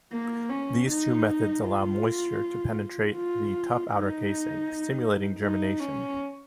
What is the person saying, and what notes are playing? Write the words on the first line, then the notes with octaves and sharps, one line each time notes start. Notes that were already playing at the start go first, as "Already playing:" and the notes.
These two methods allow moisture to penetrate the tough outer casing, stimulating germination.
A#3
C#4
D#4
F4
F4
D#4
D#4
C#4